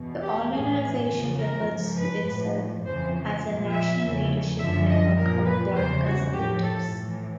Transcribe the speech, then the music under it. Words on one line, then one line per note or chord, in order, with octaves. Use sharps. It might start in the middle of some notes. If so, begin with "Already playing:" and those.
The organization refers to itself as the National Leadership Network of Black Conservatives.
Already playing: E2 B2
G4
A2 E3 G#4
E2 C#3 F3
A#4
G#2 F3
B4
A2 F3
F2 C#3 E3 C5
A#2 F3
E5
E2 C#3 F3
F#2 D3 F3 E5
D#5
A#2 F3 A#4
B4
E2 C#3 E3 C5
F#4
A2 F3 G4
A4
A2 E3